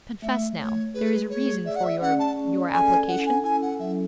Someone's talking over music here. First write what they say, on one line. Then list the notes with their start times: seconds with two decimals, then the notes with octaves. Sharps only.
Confess now, there is a reason for your--your application?'
0.22 A3 E5
0.58 A3 C#5
0.94 G#4 B4
1.30 G#4 C#5
1.65 D5 E5
1.76 F#5
1.84 E5
2.01 C#4 F#5
2.19 A5
2.36 C#4
2.73 A4 G#5
3.08 E4 F#5
3.26 G#5
3.44 E4 G#5
3.62 F#5
3.79 F#3 E5